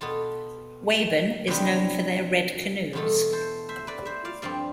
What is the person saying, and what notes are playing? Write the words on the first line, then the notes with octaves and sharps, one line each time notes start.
Wabun is known for their red canoes.
B2 B3 F4 A4
E2 C3 E3 G3 B3 D4 F4
E2 B2 A3 F4 A4
A4 C5
C5 E5
B4 D5
C5 E5
D5 F5
G2 F3 C4 D5 F5